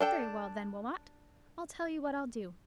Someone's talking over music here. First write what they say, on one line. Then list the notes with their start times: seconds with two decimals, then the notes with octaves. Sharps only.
Very well, then, Wilmot, I'll tell you what I'll do.
0.01 D4 A4 G5